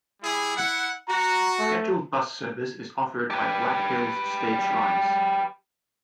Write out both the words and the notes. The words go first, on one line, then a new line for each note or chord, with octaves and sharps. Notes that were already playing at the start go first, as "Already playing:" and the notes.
Scheduled bus service is offered by Black Hills Stage Lines.
G3 E4 G#4
E4 F#5
F#4 A#5
A3
G4 B4